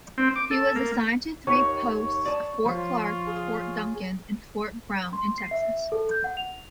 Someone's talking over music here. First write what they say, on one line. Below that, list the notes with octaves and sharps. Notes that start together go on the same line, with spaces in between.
He was assigned to three posts-Fort Clark, Fort Duncan, and Fort Brown-in Texas.
C4
D6
A4
A#3
D#2 D#3 C#5
D5 D#5 A5
F3 F4
G#4
C6
C7
E5
A4
G6
F#5
F7